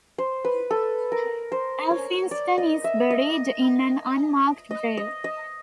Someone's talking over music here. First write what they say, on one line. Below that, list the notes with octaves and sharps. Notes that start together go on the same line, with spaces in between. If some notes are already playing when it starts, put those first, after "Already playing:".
Elphinstone is buried in an unmarked grave.
C5
B4
A4
A#4
C5
C#5
D5
D#5
E5
D#5
D#5
D#5
D#5